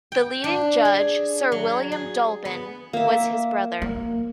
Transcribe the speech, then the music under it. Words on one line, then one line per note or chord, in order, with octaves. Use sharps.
The leading judge Sir William Dolben was his brother.
G5
D4
G#4
F#3
G#4
B3
A#3 E5
A#3